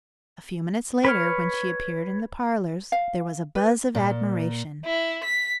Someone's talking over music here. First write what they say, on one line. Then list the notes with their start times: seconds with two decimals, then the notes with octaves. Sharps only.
A few minutes later, when she appeared in the parlours, there was a buzz of admiration.
1.05 B4 C#5 F6
2.92 F5
3.55 B4
3.95 A#2
4.85 E4
5.24 B6